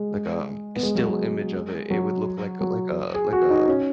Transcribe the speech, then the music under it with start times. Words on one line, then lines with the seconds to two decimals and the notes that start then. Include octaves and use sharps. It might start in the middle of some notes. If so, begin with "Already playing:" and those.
like, um, still image of it, it would look like a like a like a
Already playing: G#3
0.76 B3
0.83 G#3
0.95 F#3
1.07 G#3
1.91 F#3
2.61 F#3
3.14 G#4
3.33 F#4
3.50 D#4
3.68 C#4